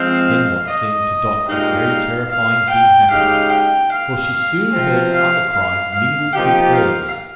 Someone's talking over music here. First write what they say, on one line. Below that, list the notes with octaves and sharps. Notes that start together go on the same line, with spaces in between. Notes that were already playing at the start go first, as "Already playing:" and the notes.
Then what seemed to Dot a very terrifying thing happened; for she soon heard other cries mingle with hers.
Already playing: F3 G#3 C4 F5
D#5
A#2 G#3 D#4 G4 F5
F5
G5
C#3 G#3 D#4 G4 F5
G5
F5
C3 F3 C4
F5
F5
F5
F3 A#3 D#4 G4 G5
F5